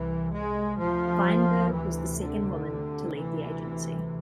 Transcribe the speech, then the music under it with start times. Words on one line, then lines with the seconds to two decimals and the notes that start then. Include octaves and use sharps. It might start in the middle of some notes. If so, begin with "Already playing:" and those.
Feinberg was the second woman to lead the agency.
Already playing: C2 C3 E3
0.33 G#3
0.79 D2 C3 F3
1.74 E3
2.21 D3
2.68 D2 C3
3.14 E3